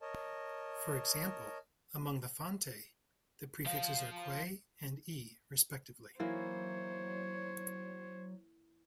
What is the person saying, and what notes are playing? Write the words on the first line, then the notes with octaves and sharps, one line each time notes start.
For example, among the Fante, the prefixes are "kwe-" and "e-", respectively.
A#4 C#5 D#5 A5
F3 F5
E3 F#3 A#3 E4 C5 C#5